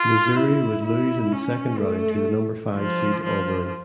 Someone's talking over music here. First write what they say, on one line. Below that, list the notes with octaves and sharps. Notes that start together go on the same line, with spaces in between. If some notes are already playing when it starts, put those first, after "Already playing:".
Missouri would lose in the second round to the number five seed Auburn.
Already playing: F4
E4
E4
C#4
A3
F3
F3